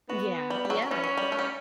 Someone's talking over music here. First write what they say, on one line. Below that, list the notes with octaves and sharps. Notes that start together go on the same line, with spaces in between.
Yeah, yeah.
B3 F#4
G3
G3
F#3
F#3
E3 C#4
F#3
G3
A3
G3